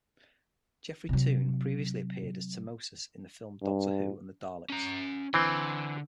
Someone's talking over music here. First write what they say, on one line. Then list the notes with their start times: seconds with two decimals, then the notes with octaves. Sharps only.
Geoffrey Toone previously appeared as Temmosus in the film "Doctor Who and the Daleks".
1.09 C3 F#3
3.62 G2
4.69 C#4 A#5
5.34 D3 E3 C4 C6